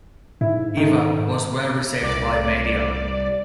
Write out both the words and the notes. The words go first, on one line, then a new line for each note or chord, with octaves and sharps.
Eva was well received by media.
G#2 E4
D#3 A3
C2 D5